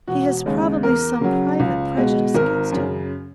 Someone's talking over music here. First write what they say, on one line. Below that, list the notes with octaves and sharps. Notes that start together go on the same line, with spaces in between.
"He has probably some private prejudice against him."
E1 F#4
D#2 C#3 G#3
E2 A#4
C#3 F#3
C#2
B2 G#3
G#1 A#4
F#2 C#3